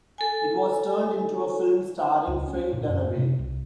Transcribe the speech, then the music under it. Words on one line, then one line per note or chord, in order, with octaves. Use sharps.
It was turned into a film starring Faye Dunaway.
A4 G#5
C#2
C#4
A#2
F#2
A2
C3
C2